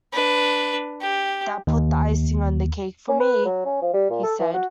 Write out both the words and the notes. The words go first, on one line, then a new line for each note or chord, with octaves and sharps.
"That put the icing on the cake for me," he said.
D4 B4
G4
D#2
C#4
B4
F#3
C#4
F3
G3
A#2
A4
E3
F#4